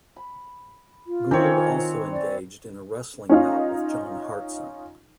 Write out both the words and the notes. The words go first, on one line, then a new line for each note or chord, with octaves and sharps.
Gould also engaged in a wrestling bout with John Hartson.
B5
F4
D#3 E3 C4 D#4 C#5 G6
D5
C#4 D#4 F4